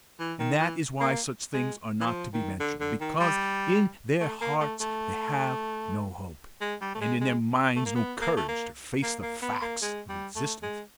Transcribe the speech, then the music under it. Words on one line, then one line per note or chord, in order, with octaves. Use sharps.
And that is why such things are not to be mentioned, because in their hearts they have no hope, and in their minds no courage to face the facts of existence.
E3
D#3
E3
A#3
G#3
E3
F3
D#3
D3
D3
D#3
G3
A3
A#3
A3
A3
G#3
G3
A3
G#3
G#3
A3
A#3
B3
A#3
A3
A#3
A#3
A#3
B3
A#3
G#3
G3
A3
G#3